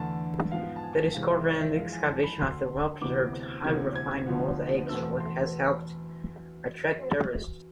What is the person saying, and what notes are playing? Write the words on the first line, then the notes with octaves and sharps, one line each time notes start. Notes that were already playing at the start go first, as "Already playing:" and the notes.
The discovery and excavation of the well-preserved, highly refined mosaics has helped attract tourists.
Already playing: E2 D3 A3 A5
G#2 F3 B3 F5
A5
G#5
E2 C3 E3 G#3 C4 F5
E5
D5
E5
F2 E3 G#3 F5
G#5
A5
B5
D2 D3 A3 C6
D2 C3 E3 B3 D6
D2 C3 E3 B3 G#6
G#6
G#6
D2 D3 F3 B3
E2 B2 A3 C4 E6
C6